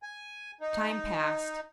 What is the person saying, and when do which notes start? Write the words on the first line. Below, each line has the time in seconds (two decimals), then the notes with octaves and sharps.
Time passed.
0.03 G#5
0.61 D#4